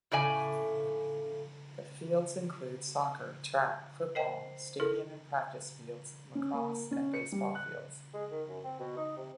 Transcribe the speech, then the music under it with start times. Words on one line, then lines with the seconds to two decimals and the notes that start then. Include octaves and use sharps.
The fields include soccer, track, football stadium and practice fields, lacrosse, and baseball fields.
0.11 A2 C#3 A3 D5 G#5
4.15 A#4 C5 D#5 G5 C7
4.80 E4 A4 A#4
6.35 C#4
6.53 A#3
6.91 C#4
7.14 C#7
7.32 G3
7.55 F#6
8.14 G#3
8.31 D#3
8.48 F#2
8.64 C4
8.80 B2
8.97 D#4
9.17 C3